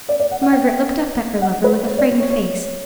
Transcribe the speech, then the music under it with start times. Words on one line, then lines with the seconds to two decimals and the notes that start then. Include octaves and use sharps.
Margaret looked up at her lover with a frightened face.
0.09 D5
0.20 D5
0.31 F#5
0.42 F#5
0.53 G5
1.42 F#5
1.64 B4
1.87 C#5
1.98 D5
2.09 C#5
2.20 C#5
2.30 C#5